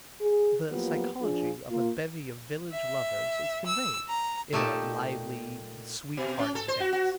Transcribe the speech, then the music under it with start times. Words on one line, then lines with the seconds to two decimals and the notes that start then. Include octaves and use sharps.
The psychology of a bevy of village lovers is conveyed in a lively sweet-hearting dance.
0.21 G#4
0.71 F3 F#3 A#3 B3 F4 G4
1.21 F3 D4 F4 G#4
1.69 A#3 F4
2.71 E5
3.65 E6
4.08 A#5
4.53 A#2 A3 D#4 G4 A5
6.17 B2
6.39 C#4
6.55 A4
6.68 C5
6.80 F#4
6.93 F#4